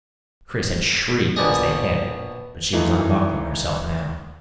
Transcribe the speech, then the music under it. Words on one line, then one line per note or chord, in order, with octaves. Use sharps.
Chris had shrieked as they hit, but she was unbuckling herself now.
A#1 B2 D4 G4 G#4 D#5
E3 A3 D#4 F4